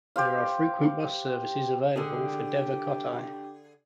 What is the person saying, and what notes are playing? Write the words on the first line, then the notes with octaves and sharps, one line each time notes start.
There are frequent bus services are available for Devakottai.
G4 C5 F5
D3 D4 G4 G#4